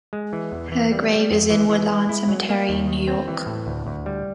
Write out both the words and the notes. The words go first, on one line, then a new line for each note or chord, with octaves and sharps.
Her grave is in Woodlawn Cemetery, New York.
G#3
E3
E2
E3
G3
G3
F2
E3
E3
G#3
E4
F#3
A#3
D#2
D#3
C4
E3
A2
D2
D2
G3